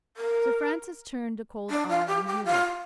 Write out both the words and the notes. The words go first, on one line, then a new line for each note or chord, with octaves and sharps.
Sir Francis turned a cold eye on Hubert.
A#4
D4
F4
G4
G4
F4